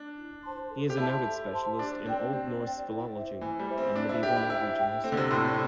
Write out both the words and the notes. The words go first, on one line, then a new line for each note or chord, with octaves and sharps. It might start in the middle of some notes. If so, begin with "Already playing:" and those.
He is a noted specialist in Old Norse philology and medieval Norwegian history.
Already playing: D4
E4
C5 A5 C6
A4
G4
E4 C5 A5 C6
A4
C5 A5 C6
D4 G4
C4 D5 G5
C4 G4
D5 G5
E4
C5 E5
E3 E4
G3
C5 E5
C4
D4 C5
E4
G4 E5 G5
E4
E4 C5
E5 G5
C4 A4
D3
C3
A2 D5 C6
C3